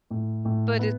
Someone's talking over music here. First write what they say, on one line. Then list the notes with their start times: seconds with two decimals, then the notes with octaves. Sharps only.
But it
0.10 A2
0.45 A2
0.79 B3